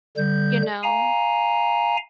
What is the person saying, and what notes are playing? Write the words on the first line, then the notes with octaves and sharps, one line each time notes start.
you know,
D3 G3 G6
F5 G#5 A#5